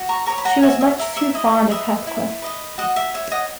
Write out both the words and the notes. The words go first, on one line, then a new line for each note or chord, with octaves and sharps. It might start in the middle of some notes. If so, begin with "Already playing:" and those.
She was much too fond of Heathcliff.
Already playing: F#4
A#5 C#6
A#4 C#5 A#5 C#6
B5
F#5 A#5
F#4 E5 G#5
E5
A#4 C#5 E5
E5
E4 D#5
B4 D#5 E5
E4
B4 D#5
F#4 D#5 F#5
E5
C#5 E5
D#5 F#5